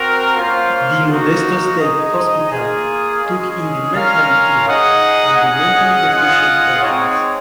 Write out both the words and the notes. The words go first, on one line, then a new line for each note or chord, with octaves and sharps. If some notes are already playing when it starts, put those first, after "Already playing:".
The Modesto State Hospital took in the mentally ill and the mentally deficient patients.
Already playing: C4 F#4 A#4
A#3 C#4 F4 C5 F5
A#3 D#4 F#4
D#4 G#4 D#5
A#3 F4 G#4
G#3 C#4 G#4
C#4 F4 A#4 C#5 F5
D#4 G#4 D#5 F#5
C#4 G#4 D#5 F#5
F4 G#4 D#5 F#5
G#3 C4 D#4 G#4 C#5